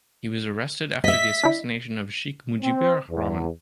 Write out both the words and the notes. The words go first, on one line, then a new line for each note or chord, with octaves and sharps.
He was arrested after the assassination of Sheikh Mujibur Rahman.
D#5 E5 B6
D4 E4
C4
E2